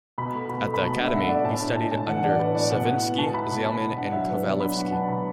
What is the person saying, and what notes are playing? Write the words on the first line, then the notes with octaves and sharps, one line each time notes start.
At the Academy, he studied under Savinsky, Zaleman and Kovalevsky.
B2 B5
A3
B2 B5
A3
B5
B2 A5
D4
E5
B2 F#5
A3 D5
A2 A5
D4
A2 A5
A2 A5
E3 F#5
D4 D5
A2 B4
A2 D5
B2 F#5
E4
B3
B2 A5
E4 B5
B2
E4 A5
E4
D4 F#5
F#3 E5
D4 B4
B2 D5
D4 B5
F#3 F#5
D4 A5
B2 B5